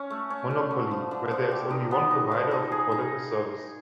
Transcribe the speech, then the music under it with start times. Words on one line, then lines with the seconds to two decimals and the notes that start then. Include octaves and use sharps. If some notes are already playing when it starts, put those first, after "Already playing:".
Monopoly, where there is only one provider of a product or service.
Already playing: C#4
0.10 A3
0.30 C#4
0.50 C#4
0.71 D3
0.91 F3
1.11 D3
1.31 F3
1.51 G4
1.70 D#4
1.91 B3
2.11 D#4
2.31 F3
2.51 D#4
2.72 G#4
2.92 D#4